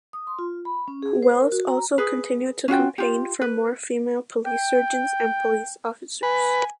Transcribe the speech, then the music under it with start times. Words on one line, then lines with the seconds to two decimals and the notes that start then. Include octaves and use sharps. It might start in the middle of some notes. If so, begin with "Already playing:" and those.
Wells also continued to campaign for more female police surgeons and police officers.
0.13 D#6
0.27 C6
0.39 F4
0.65 B5
0.88 C#4
1.02 G#4
1.23 C5
1.40 A#4
1.52 F#4
1.68 A#5
1.98 G#4 B4
2.68 C#4 F4 F#4 G5
2.98 F4 G4
3.42 B4
4.46 G5
6.23 B4 G#5